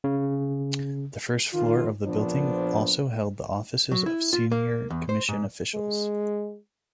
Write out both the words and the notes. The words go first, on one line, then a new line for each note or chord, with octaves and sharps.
The first floor of the building also held the offices of senior Commission officials.
C#3
D#3 F4
A#1 F3 A#3 B3 D4 C5
F#3
E4
F4
A#3
E2
C5
G#2
G#3